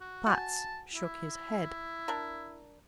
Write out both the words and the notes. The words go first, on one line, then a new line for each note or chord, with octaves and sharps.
Platts shook his head.
F#4
F#4 G#5 A5
E4
D4 A#4